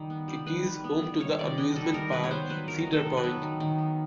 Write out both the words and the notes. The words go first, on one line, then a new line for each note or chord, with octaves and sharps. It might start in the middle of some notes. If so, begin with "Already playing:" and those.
It is home to the amusement park Cedar Point.
Already playing: D#3 G3
B3
G3
D#3 B4
D#3
B3
G3
D#3 C#5
D#3 D5
B3 D#5
G3 A4
D#3 A#4
D#3 B4
C#5
B3 C5
F#3 B4
D#3 A#4
D#3
A4
B3
B4
F#3
D#3
D#3
B3